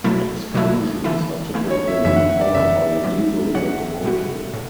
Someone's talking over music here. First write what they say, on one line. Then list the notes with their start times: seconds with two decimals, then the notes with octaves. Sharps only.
Excursions are typically powered by a diesel locomotive.
0.04 B2 F#3 A3 E4
0.54 B2 F#3 A3 E4
1.04 E3 A3 E4
1.54 E3 A3 E4
1.71 C#5
1.88 E5
2.04 F#2 C#3 E3 E5
2.16 F#5
2.29 E5
2.41 D5
2.54 F#2 C#3 E3 E5
3.04 A2 F#3 C#4
3.54 A2 F#3 C#4 F#5
4.04 A2 G3 B3 F#4
4.54 A2